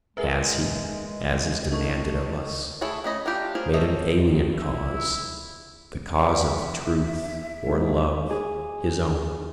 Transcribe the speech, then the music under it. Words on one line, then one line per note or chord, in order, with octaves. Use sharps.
Has he, as is demanded of us, made an alien cause, the cause of truth or love, his own?
G#3 G#4 A#4 B4 E5
D3 D#3 A3 D#5 C#6
A3 E4 G#4 A4 C#5
A3 C#4 D#5 B5
D4 E4 F4 G4
F4 G#4 A#4 C5 G#5
F3 A4 C#5 D#5 E5
E4
E5
G#2
G#4